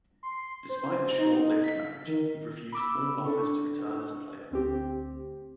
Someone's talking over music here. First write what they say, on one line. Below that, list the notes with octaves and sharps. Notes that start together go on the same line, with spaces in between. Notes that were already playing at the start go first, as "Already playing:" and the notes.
Despite the short-lived marriage, he refused all offers to return as a player.
C6
C5
D#4
B6
D#3
B5 D6 E6
D4 A4 C#6
D2 C4 G4